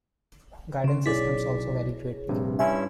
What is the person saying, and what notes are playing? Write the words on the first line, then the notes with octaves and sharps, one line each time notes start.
Guidance systems also vary greatly.
C#3 C6
B1 E4 G#4 C#5 D5 B6
A#1 G2 C3
G2 C#4 E4 E5 G#5 C6